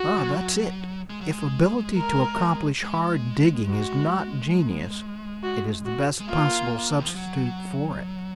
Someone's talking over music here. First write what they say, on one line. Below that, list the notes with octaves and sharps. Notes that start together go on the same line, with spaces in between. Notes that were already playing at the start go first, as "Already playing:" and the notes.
Ah, that's it; if ability to accomplish hard 'digging' is not genius, it is the best possible substitute for it.
Already playing: F#4
F3
F#3
G#3
F#3
G#3
A#4
G#3
F#4
F#4
F#4
G#3
A#3 F4
D#3
F3
F#3